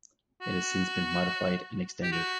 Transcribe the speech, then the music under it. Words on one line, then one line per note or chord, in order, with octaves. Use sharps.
It has since been modified and extended.
F#4
G4
F#4